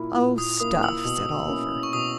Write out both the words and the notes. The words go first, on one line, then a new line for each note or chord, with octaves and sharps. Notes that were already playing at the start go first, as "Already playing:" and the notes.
"Oh, stuff!" said Oliver.
Already playing: A#2 A#3 E4
A#2
D#6
A#3 E4 D#6
D#6
E6
B2
A#3 C#4 E4
C#6
B2 D#6